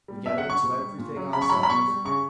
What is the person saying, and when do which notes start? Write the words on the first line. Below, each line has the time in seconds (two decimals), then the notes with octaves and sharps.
We go into everything ourselves.
0.08 G3
0.26 B2 E5
0.38 F#5
0.44 F#3
0.50 C#6
0.62 A#2
0.80 G3
0.98 A#2
1.16 F#3
1.33 C#3 B5
1.42 C#6
1.50 F#3 B5
1.63 B5
1.69 B2 C#6
1.88 G3
2.05 C#3 C#6